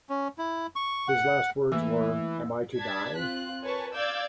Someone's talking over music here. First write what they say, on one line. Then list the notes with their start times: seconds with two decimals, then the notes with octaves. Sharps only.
His last words were, Am I to die?
0.09 C#4
0.38 E4
0.76 C#6
1.08 F#5
1.72 E3 A3 A#3 E5
2.76 D4 A5 G#6 B6
3.17 C4 F4 F#6
3.62 A#4 B4 C#5 G#5 A5 C#6
3.95 D5 F5 D6 E6 G6 G#6